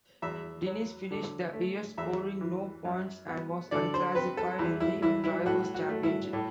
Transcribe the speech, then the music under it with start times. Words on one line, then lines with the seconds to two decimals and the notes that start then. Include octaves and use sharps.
Diniz finished the year scoring no points and was unclassified in the Drivers' Championship.
0.22 E2 E5
0.66 F#3
1.11 D3
1.53 A3
1.98 E2 E5
2.41 E3
2.85 F#2
3.28 B3
3.71 D3 D5
3.94 C5
4.15 C4 B4
4.37 A4
4.59 E2 E4
4.80 E4
5.02 E3 E4
5.24 E4
5.45 A2 F#4
5.74 F#4
5.89 A3
6.03 E4
6.33 A2